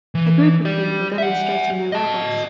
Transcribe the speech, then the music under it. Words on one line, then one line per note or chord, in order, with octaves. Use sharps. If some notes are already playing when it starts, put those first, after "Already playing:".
A group of people demonstrating their robots.
E3
G4 D5
E5 F#5
D#5 A5